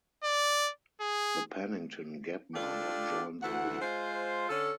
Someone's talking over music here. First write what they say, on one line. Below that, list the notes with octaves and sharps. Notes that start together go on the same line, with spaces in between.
The Pennington Gap Miners joined the league.
D5
G#4
D4 F4 G4 A4 D5
D2 E3 A4 F#5
G#3 F4 C5
D3 C#4 A4